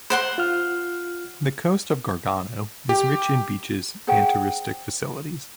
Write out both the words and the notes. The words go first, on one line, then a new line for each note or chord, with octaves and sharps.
The coast of "Gargano" is rich in beaches and touristic facilities.
C5 F#5 C6
F4 F6
G4
G#4 C5 F#5 G5